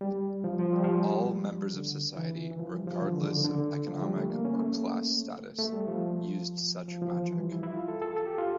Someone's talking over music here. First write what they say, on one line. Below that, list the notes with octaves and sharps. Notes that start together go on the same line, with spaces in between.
All members of society, regardless of economic or class status, used such magic.
G3
F3
F3
G3
F3
G3
D3
E3
E3
F3
G3
F3
D3
E3
D3
D3
C#3
D3
F3
G3
A3
A#3
C#4
A3
A3
G3
F3
F3
F3
E3
E3
G3
F3
E4
E4
F4
A4
A4
A4
G4
F4